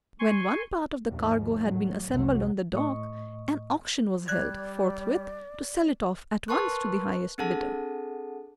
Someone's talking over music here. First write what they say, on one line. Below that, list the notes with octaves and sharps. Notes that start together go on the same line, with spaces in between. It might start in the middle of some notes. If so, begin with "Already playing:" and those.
When one part of the cargo had been assembled on the dock, an auction was held forthwith to sell it off at once to the highest bidder.
G#5 C6 C#6
D#2 G#2 D#3 F3
A2 F#3
F1 C2 C3 F#3
A2 D#5 C#6
G3 D5 F#6 G#6
A#4 B4 A5 C6 C#6 F#6
C4 D4 G#4 A4 F#5 A5